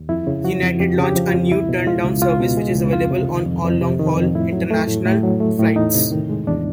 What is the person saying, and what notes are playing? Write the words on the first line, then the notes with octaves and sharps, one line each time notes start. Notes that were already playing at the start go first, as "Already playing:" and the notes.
United launched a new turn-down service which is available on all long-haul international flights.
Already playing: D#2
F2 E4
C#3
F3 F#4
F2
F2 G4
C#3
G4
F3
F4
F2
C#2 E4
B2
G#3 F4
C#2
C#2 F4
B2
G#3
C#2
F2 F4
C3
D#3
F2
F2
C3
D#3
F2
A2 E4
F#3
A3
A2
A2
F#3
A3
A2
E2 D#4
C3
D#3
G#3
E2 D4